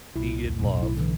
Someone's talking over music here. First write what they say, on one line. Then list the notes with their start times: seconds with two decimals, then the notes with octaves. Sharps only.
need, and love,
0.16 C2 E4
0.45 E2
0.59 B1 A2
0.83 E4
0.97 D3 E3